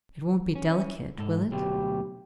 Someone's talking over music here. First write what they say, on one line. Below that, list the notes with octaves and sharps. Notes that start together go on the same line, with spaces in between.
"It won't be delicate, will it?"
C#4
G#2 A4
D2 B2 F#3 G4